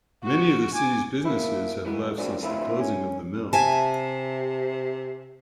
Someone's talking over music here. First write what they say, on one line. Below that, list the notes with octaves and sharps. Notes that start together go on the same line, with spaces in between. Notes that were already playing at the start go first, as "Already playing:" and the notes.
Many of the city's businesses have left since the closing of the mill.
F#4
G#5 D6
A#3 E4
E3 G#3
F3 F#3 A#3 C4 D4
F2 D3 F3 A3 E4 F4
C#4
C3 E5 G#5 A5